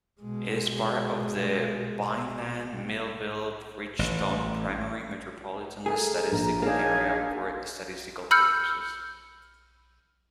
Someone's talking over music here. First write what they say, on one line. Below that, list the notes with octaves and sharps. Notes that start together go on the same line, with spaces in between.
It is part of the Vineland-Millville-Bridgeton Primary Metropolitan Statistical Area for statistical purposes.
B2 G#3
A1
A3 G#4 A#4
A#1 A#5
A#3 D4 D#4 G#4 C#5 F5
B5 E6 F6 G6 C#7